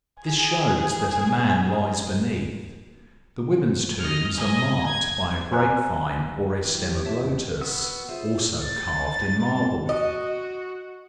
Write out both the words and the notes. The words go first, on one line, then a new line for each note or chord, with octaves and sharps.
This shows that a man lies beneath; the women's tombs are marked by a grapevine or a stem of lotus, also carved in marble.
G#4 G#5
D#5 F6
D#5 G#5
G#6
C5 G#5 A#5 F#6
E3 G4
C#5 E5 A5
B3 F#4 F#5 D#6 E6
F4 G#4 C5 E5
A6
F#4 D#5